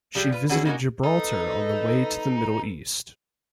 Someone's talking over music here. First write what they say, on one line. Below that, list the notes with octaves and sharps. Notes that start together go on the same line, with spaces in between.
She visited Gibraltar on the way to the Middle East.
F3 G3 G4 G#4
F4 B4
D3 A3 C#4 F#4 G#4
A#3 B3 C#4 D#4 F#4 A#4
D#4 A4 B4